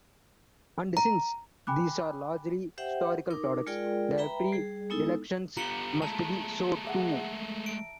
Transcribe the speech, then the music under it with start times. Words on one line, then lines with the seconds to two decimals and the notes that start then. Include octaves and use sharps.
And since these are largely historical products, the predilections must be so too.
0.97 A#5
1.67 G5 G#5 B5 D6 F#6
2.78 G4 C5 E5 F#5 G5
3.30 D#4 A#4 D6
3.66 G#3 F4 G#4 A#4 D5 G5
4.18 B4 E5 G5 A#5 B5
4.53 G3 G#4
4.90 G#3 B3 D#4 E4 A4
5.57 G3 B3 F4 A#5 C#7 G7
6.02 G#3 A3 A5
6.85 G#4 E5 F#5
7.12 E5
7.66 D7